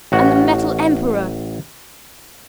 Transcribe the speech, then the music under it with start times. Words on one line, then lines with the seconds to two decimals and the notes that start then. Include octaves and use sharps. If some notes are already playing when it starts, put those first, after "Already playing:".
And the Metal Emperor!
0.12 A1 F#4